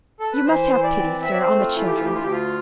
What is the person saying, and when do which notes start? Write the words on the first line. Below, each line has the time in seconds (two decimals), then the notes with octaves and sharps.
You must have pity, sir, on the children.
0.20 A4
0.32 B4
0.46 E3 C5
0.71 E3
0.84 D5
0.96 C4
1.21 C4 E5
1.33 D5
1.40 C5
1.46 A3
1.59 F4
1.72 E3
1.78 F4
1.86 G4
1.95 D2 F4
2.05 G4
2.14 F4
2.21 D2 G4
2.32 F4